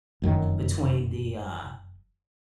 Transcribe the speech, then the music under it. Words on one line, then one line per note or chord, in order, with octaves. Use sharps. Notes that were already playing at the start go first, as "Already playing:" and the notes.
between the, uh,
F1 F#2 D#3